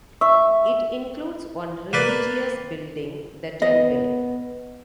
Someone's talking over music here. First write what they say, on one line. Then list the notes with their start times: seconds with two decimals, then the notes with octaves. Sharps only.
It includes one religious building, the Temple.
0.21 E5 C#6
1.93 A#3 B4 D5
3.62 B3 D#5